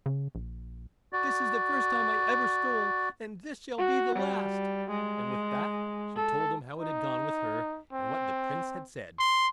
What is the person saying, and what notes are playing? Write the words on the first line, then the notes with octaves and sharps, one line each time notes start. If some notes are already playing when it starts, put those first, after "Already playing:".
This is the first time I ever stole, and this shall be the last'; and with that she told him how it had gone with her, and what the Prince had said.
C#3
A#1
F#4 D5
F#4
G3
G#3
A4
D#4
C4
C6